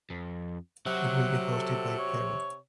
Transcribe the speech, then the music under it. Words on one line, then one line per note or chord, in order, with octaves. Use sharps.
It will be hosted by Peru.
F2
C3 F#3 F#4 F#5
A4
C#5